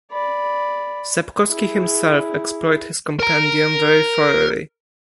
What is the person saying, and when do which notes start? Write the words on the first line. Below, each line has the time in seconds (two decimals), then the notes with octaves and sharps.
Sepkoski himself explored his compendium very thoroughly.
0.12 D5 B5
1.48 E4 G#4
3.20 A#4 A#5